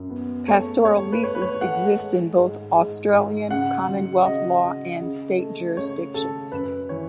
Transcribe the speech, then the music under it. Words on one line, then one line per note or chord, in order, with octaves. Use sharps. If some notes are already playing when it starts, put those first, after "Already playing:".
Pastoral leases exist in both Australian commonwealth law and state jurisdictions.
Already playing: F#2
B3
A3 C#5
A3 C#5
B4
A3 C#5
B4
C#5
A3 F#5
G#3
G#2
G#2
G#2
C#3 F#5
F#3
C#3 D#5
C#3
C#3
A3
C#3 C#5
C#3 A4
F#2 B4
E3 C#5